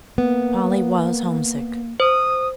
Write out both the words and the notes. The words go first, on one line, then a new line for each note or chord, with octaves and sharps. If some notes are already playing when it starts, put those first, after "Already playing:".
Polly was homesick.
A#3 B3
C5 D#6